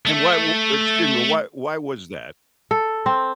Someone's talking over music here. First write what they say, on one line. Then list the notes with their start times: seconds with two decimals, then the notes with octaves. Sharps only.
And why wo excuse me. Why why was that?
0.06 A3
2.71 A4
3.06 C4